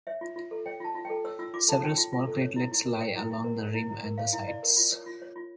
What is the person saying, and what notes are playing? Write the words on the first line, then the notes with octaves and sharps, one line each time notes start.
Several small craterlets lie along the rim and the sides.
C#5 E5
F4
F4
A4
C#5 G5
F4 A5
F4
G5
A4
C#5 E6
F4 E6
F4 D6
A4 A5
C#5 G5
F4
F4
A4
C#5
E4
E4
A#4
C#5 G5
E4
E4
A#4
C#5
E4
E4
A#4
C#5 F5
E4
E4 D5
A#4
F4
C#5
F4
C#5
F4